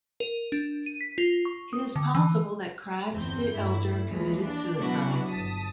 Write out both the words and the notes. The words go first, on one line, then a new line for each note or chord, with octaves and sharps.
It is possible that Craggs the Elder committed suicide.
A#4
D4
D#7
B6
F4
C#6
D#6
D3
E3
G1 E2 C4 G6
G2 A3 E4
D#2 E3 G#3
D4
B2 F#3 D4 E4 F#4
G1 A5 D#6 B6